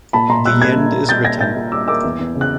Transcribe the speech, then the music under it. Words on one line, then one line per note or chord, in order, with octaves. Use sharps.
The End Is Written.
A#2 A5 B5
A#2 A#5 C6
G3 E6 F#6
A#3 F#6 G#6
A#2
A#2
G3 G6 A6
A#3 G#6 A#6
A#2 G6 A6
A#2
G3 D6 E6
A#3 D6 E6
E2
E2
C#3
F#6